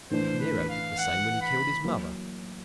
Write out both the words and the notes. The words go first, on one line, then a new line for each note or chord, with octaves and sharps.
Nero did the same when he killed his mother.
A2 E3 A3 D4 C5
B4
F5
F#5
B5
F#3 A#3